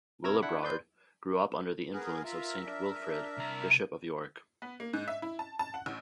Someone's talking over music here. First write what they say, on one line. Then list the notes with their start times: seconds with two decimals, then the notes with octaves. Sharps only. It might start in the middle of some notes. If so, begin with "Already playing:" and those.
Willibrord grew up under the influence of Saint Wilfrid, Bishop of York.
0.24 C3 A#4 A#5 E6 G#6 A#6
0.42 D4 E4 F#5 B5
0.63 B4 D5 C6 G6
1.93 B3 G#4 A#4 B4
2.24 F4 A#4 E5
2.65 D4
3.03 D4
3.37 C2 A#5
4.62 B3
4.80 A#3
4.93 G#2
5.08 E5
5.22 E4
5.39 A5
5.59 A5
5.74 F#5
5.86 A1